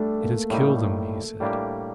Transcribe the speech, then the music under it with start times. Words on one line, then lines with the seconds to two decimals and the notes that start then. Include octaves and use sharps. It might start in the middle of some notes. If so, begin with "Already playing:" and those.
"It has killed him!" he said.
Already playing: G3 A3 D4 A4
0.21 A#3
0.50 A2 G3 A#3 D#4
1.40 A2 G3 A#3 D4 G4